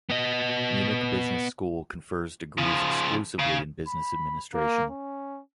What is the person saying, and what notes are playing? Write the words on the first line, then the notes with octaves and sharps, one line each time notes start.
Munich Business School confers degrees exclusively in business administration.
B3 D#5
C#3 F3
C#3
B5
A#3
C#4